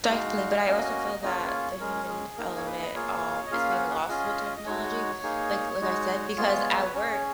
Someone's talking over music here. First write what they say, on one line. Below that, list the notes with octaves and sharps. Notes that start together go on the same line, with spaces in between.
Definitely, but I also feel that the human element, um, is being lost with technology, like like I said, because at work
D#5
G#3 D#4 F#4 F5
A#3 C#4 F#4 D#5
A#3 C#4 F4 G#4 D#5
C#5
B4
C#5
G#3 C#4 G#4 A#4
G#4
A#3 D#4 G#4 A#4
C#5
B4
D#5
A#3 F4 G#4 C#5
D#5
A#3 C#4 F4 G#4 F5
F#5
F#5
C#4 F4 G#4 D#5
D#5
G#3 D#4 F#4 C#5
A#3 D#4 G#4
G#3 D#4 F#4
G#3 B3 F4 G#4
B4
C#4 G#4 C#5
C#5